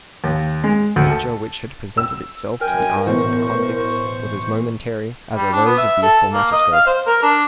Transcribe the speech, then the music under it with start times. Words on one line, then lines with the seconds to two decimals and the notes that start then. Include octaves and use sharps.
The picture which had presented itself to the eyes of the convicts was as momentary as are those of the thaumatoscope.
0.24 D#2
0.64 G#3
0.96 D2
1.10 A4
1.97 E6
2.61 F#2 A#4 G5 G#5
3.06 B1 A2 E3 C5 C#6
5.35 G3
5.52 D4
5.65 B3
5.78 E5
6.02 A4
6.33 A#3
6.52 D#5
6.72 F5
6.86 C5
7.06 A#4
7.23 D4